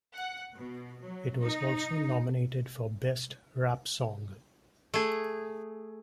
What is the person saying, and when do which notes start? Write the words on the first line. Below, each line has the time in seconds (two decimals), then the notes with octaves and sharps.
It was also nominated for Best Rap Song.
0.16 F#5
0.54 B2
1.02 F#3
1.40 D#4
4.94 A3 G#4